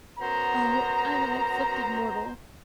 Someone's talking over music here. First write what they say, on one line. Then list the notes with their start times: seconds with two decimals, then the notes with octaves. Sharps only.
Oh, I am an afflicted mortal.
0.19 F#2 B3 C5 A#5